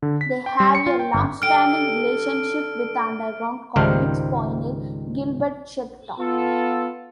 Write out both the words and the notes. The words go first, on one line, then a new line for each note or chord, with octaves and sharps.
They have a long-standing relationship with underground comix pioneer Gilbert Shelton.
D3
B6
G5
G3
C#7
F4
G5
G1
D3 G4 A4 F6 D7
C#2 G#2 D#3 G3 C5 F5
B3 F4 A4